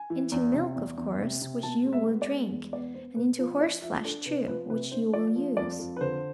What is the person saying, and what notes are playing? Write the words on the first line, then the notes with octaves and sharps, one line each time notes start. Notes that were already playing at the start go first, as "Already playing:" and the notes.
Into milk, of course, which you will drink; and into horseflesh too, which you will use.
Already playing: G#5
E3
E2
C3
E2
E2
C3
C3
B2 A5
G#3
E5
B3
D5
G#3
E2
B3 D5
B3 C5
B2 B4
F3 C5
F3 D5
F3 E5
D4 A4
C3 B4
C5
F3 B4
C3 B4
D4 C5
F3 D5
F3
F2 D5
F2
B4
D3 C5